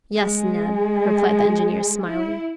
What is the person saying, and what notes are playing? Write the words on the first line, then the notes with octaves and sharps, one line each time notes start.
"Yes, Neb," replied the engineer, smiling.
G#3
E4